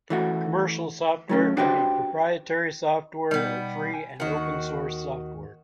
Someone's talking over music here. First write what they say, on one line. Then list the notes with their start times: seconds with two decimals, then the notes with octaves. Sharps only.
Commercial software can be proprietary software or free and open source software.
0.10 E3 A3 F#4
1.29 F#3 A3 C#4
1.57 D4 F#4 G4 B4 C5
3.31 B2 G3 B3 D#4
3.94 G5 G#5
4.20 D#2 D#3 D#4 F#4 A#4